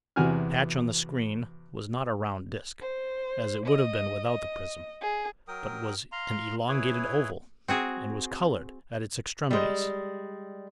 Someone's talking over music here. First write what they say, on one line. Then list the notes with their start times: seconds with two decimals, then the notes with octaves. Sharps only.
The patch on the screen was not a round disk, as it would have been without the prism, but was an elongated oval and was coloured at its extremities.
0.16 E2 C3 F#4 G#5 F6
2.81 C5
3.65 D#5
4.27 D#5
5.01 G#4
5.48 F#3 A#4 G5 D#6
6.12 F5 A#5 C6
6.68 E4 G#4 B4 C#5
7.68 C4 F#4 G#4
9.51 G3 G#3